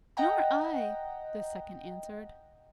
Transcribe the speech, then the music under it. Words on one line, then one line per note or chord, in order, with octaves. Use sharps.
"Nor I," the second answered.
D#5 F#5 G5 A#5